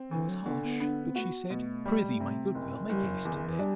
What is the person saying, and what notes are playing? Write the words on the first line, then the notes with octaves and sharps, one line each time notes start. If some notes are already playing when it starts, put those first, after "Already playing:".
I was hush; but she said, Pr'ythee, my good girl, make haste to bed.
Already playing: C4
D2 E3
F#3
D3 B3
B3
B3 D4
C4
A3 F#4
B3
B2 A3
G3
C3
F#1
F#1 G3
F#3
E2 E3
D3
E3
G3 D4